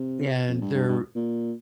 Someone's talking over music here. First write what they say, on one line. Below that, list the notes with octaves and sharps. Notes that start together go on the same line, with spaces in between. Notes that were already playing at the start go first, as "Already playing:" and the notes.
and they're
Already playing: C3
F2
G2
G2
G2
A#2